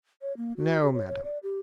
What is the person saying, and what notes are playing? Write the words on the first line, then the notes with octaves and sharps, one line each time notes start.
"No, madam."
C#5
A#3
F#4
G4
C#5
C#5
D5
G4